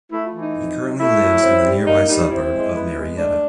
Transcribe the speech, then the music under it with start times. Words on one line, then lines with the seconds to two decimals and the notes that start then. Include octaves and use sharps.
He currently lives in the nearby suburb of Marietta.
0.12 A3 E4
0.26 F4
0.34 E3
0.41 D#4
0.55 F2
0.78 F#3
1.00 A3 E4
1.21 F#3
1.43 C4
1.64 G3
1.86 A#3 D#4
2.09 G3 D#4
2.30 C4 E4
2.52 G#3
2.73 B3
2.96 G#3
3.17 A3 D4